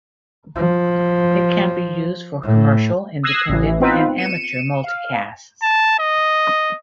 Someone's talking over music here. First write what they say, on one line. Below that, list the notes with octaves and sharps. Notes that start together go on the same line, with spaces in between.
It can be used for commercial, independent, and amateur multicasts.
F3
A2
D#6 E6 F#6 G#6 A#6 C7
A1 E3
B3 C4 D#4 F4 B4
C#7 D#7 E7
F5
A5
D#5